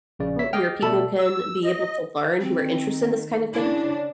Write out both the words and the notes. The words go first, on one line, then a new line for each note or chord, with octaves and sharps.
where people can be able to learn, who are interested in this kind of thing,
A#1 C#3 D5
C#5 E5 B6
G#4 D#5 G5 D6 F6
B2 A3 A4 D5 A5 B5
E6
D#5
D#3 C4
C#3 D4 E4